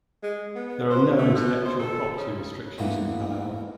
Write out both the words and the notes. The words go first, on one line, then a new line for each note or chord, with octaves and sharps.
There are no intellectual property restrictions in Palau.
G#3
B3
C5
A3
B2
C5
A4
C#3
D2 E3 A#3 B3